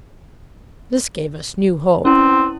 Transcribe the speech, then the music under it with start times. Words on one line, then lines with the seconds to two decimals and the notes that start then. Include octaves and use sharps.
This gave us new hope.
2.05 C4 C#4 E4